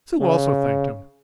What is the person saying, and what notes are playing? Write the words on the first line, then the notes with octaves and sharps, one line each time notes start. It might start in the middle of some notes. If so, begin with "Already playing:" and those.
Sue also thanked him.
C#3